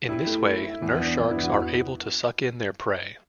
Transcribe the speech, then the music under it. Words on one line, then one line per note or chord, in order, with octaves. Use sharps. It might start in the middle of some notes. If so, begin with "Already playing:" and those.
In this way, nurse sharks are able to suck in their prey.
E4 G4
A3
E4
E4
E2
B3 D4
E2 D4
E4
B3
F#4